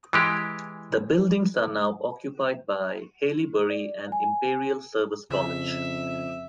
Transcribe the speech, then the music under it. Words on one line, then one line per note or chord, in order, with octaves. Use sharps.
The buildings are now occupied by Haileybury and Imperial Service College.
E3 G#3 G4
D5
G#5
F2 C#3 E5